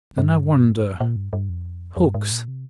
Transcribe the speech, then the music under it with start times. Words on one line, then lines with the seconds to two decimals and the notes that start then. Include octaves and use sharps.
Then I wonder--hooks?
0.18 G2
1.00 A#2
1.16 G2
1.33 G2
1.49 F2
1.97 F2
2.06 G2
2.14 G#2
2.31 A#2
2.48 C3